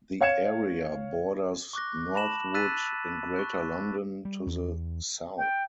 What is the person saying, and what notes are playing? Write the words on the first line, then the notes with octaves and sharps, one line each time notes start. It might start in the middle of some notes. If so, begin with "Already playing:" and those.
The area borders Northwood in Greater London to the south.
C#5 F5 G#6 C#7 E7
C#6 D6 F#6 A#6
A5 B5 A#6 E7 F#7
E6 F#6 A6 B6 D#7
C#6 F#6
G3
E2
G5